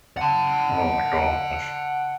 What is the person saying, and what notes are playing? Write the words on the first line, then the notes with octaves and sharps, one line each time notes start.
Oh my gosh.
F#5 A5